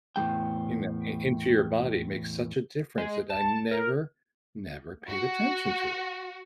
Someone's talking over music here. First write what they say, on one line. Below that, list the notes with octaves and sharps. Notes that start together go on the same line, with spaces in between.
you know i into your body makes such a difference that I never, never paid attention to it.
E2 A2 G#3 G5
G#3
A5
A#4
F#4